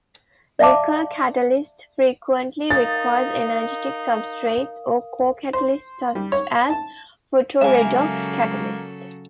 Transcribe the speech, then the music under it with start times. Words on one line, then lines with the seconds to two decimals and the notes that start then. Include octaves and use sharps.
Nickel catalysts frequently require energetic substrates or co-catalysts such as Photoredox catalysts.
0.59 D5 E5 F5 A5 D6
2.70 D#4 A#4 F5 D#6 A6
5.53 C5
6.15 G3
6.32 C#5
6.70 A5
7.61 C#3 F#3 G#3 A#3 A4 E5 G#5